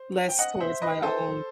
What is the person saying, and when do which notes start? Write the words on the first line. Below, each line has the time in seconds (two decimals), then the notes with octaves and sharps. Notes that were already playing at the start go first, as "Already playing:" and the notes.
less towards my own
Already playing: C5
0.29 G5
0.39 D#5 F#5
0.60 C5 E5
0.82 B4 D#5
1.03 A4 C5